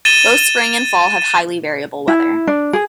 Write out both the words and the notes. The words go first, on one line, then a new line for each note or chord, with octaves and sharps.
Both spring and fall have highly variable weather.
A6 D#7 E7 G7
E4
D4
G#4